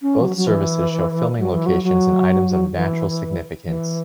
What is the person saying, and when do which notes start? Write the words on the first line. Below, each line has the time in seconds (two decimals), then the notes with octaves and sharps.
Both services show filming locations and items of natural significance.
0.02 C#4
0.21 E3
0.24 F#3
0.37 F#3
0.47 E3
1.39 F#3
1.53 E3
1.66 F#3
1.84 F#3
2.75 E3
3.66 E3